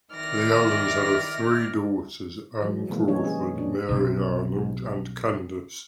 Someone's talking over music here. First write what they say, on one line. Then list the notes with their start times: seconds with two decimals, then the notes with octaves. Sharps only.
The Allens had three daughters, Anne Crawford, Mary Arnold and Candace.
0.13 D#3 D#4 E4 D5 F6 A#6
2.61 E3 F#3 G#3
2.89 B2 E3 F3 G#3 A#3 B3
3.08 D#3 G3 D#4 G4 C#5
3.25 C#4 G#4
3.56 A#2 D4
3.89 B1 C3